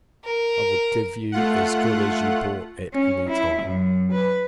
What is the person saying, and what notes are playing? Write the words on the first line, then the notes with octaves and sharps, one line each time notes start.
I would give you as good as you brought, at any time.
A#4
A3 F4 F#5
C#4
E4
F#2
B4